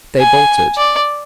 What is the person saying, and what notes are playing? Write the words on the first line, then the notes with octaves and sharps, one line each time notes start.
They bolted.
G#5
D5